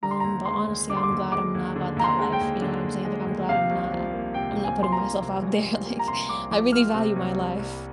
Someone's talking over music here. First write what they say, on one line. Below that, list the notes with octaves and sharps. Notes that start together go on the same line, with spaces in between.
Um, but honestly, I'm glad I'm not about that life, you know what I'm saying? Like, I'm glad I'm not I'm not putting myself out there, like, I really value my life.
D3 A#5
C6
A#5
D#2
G#3 C6
D#2
D3 D6
C6
D6
D#2
G#3 D6
D#2
D3
D#2 A#5
C6
G#3
G5
D#2
D3
D#2
G#3
D#2
C3 F5
C2
F3
A#3
C3 G5
C2
G#5
F3 C6
A#5
A#3
C3
C2
F3
A#3
A#5
C3 C6
C2 D6
F3 D6
A#3 F6
C3
C2
G3
C2